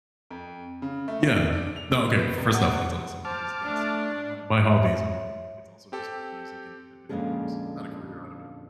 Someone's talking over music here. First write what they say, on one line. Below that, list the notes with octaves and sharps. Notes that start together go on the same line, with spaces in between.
Yeah, no, okay, first off, that's awesome because that's my my hobbies are like it's also just music and and video games, not a career out of it,
F2
C#3
A3
D4
F7
B3
C2
F#5
F#5
C5 A5 D6 F6
A3 D4
C#5 E5
C4 G4 A4
F2 A#2 D3 G#3 C#4 G#4